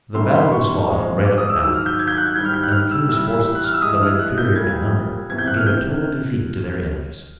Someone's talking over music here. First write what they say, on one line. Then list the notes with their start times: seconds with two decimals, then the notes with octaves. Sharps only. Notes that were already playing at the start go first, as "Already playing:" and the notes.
The battle was fought on Bradoc Down; and the king's forces, though inferior in number, gave a total defeat to their enemies.
0.15 F#2 D#3 G3 C6
0.34 C6
0.52 C#6
0.89 A#2 F3 G#3
1.25 D6
1.38 D#6
1.49 E6
1.62 G#2 D#3 F#3 E6
1.74 F6
1.86 G6
1.99 G#6
2.07 G6
2.17 F#6
2.26 G#6
2.35 G#2 D#3 G3 G6
2.45 F6
2.54 G6
2.63 F#6
2.72 F6
2.91 E6
3.09 A2 E3 G3 E6
3.55 F#6
3.64 F6
3.74 E6
3.82 A2 E3 G#3 D#6
4.01 F6
4.19 F#6
4.38 G6
4.55 A#2 G3 G#6
5.29 E2 C3 E3 G#6
5.38 G6
5.47 F#6
5.56 F6
5.66 G6